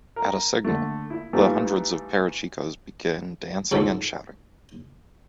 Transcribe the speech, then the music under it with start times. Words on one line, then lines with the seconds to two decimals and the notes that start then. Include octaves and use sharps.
At a signal, the hundreds of Parachicos begin dancing and shouting.
0.16 A#4
0.65 D3 A3
1.10 E4
1.33 E3 F3 G3 A3 D#4
3.72 C#2 G#2 A4